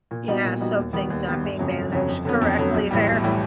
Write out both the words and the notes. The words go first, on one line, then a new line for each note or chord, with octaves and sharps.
Yeah, something's not being managed correctly there.
A#2
G3 B3 D#4 F#4
A#2
G3 B3 D#4 F#4
D#2
D#3 G3 B3
D#2
D#3 G3 B3
G1
F2 C#3 F#3
G1
F2 C#3 F#3
F2
D3 F#3 B3
F2
D3 F#3 B3
B1
A2 E3 G3
B1
A2 E3 G3